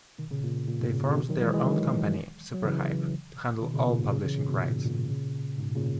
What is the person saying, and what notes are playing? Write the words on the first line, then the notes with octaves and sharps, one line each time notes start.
They formed their own company, Superhype, to handle all publishing rights.
B2 D#3
A#2 C#3
A#2
A#2
G#2 B2
A#2 C#3
A#2 C#3
B2 D#3
D#3 F#3
E3 G#3
E3 G#3
D#3 F#3
F#3
C#3 E3
B2 D#3
A#2 C#3
A#2
G#2 B2
A#2 C#3
C#3 E3
A#2 C#3
G#2 B2
A#2
G#2
A#2
A#2 C#3
G#2 B2
A#2 C#3